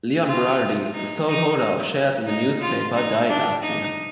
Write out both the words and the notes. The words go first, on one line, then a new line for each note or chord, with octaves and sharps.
Léon Bérardi, the sole holder of shares in the newspaper, died last year.
F4
D#4
D#4
D#4
F4
D#4
D4
D#4